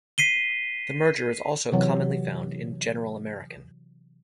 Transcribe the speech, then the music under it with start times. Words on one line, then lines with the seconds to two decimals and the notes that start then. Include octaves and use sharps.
The merger is also commonly found in General American.
0.18 B6 C7 D#7 G7
1.72 C3 E3 F#3